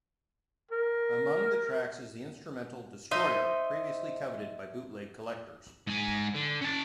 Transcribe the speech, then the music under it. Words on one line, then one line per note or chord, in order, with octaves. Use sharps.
Among the tracks is the instrumental "Destroyer", previously coveted by bootleg collectors.
A#4
D#4 C5 D#5 E5
G#2 G#5
D3
C#4 A5